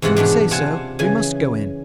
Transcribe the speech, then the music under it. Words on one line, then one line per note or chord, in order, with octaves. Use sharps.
'Don't say so; we must go in.
E2 G#2 C3 F4 F#5
E2 B2 D4 G4
C3 F4 F#5 G#5 A5
C#3 E3 G#5